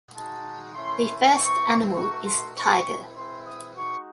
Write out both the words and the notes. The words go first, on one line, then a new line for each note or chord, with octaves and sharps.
The first animal is Tiger.
G#3 D#4 F#4 A5
A3 C#4 E4 C6
C4 E4 C#6
A3 D#4 F#4 C#6
C6
G#3 C4 E4 C#6
G#3 C4 E4 C6
D#6
G#3 D#4 F#4 C#6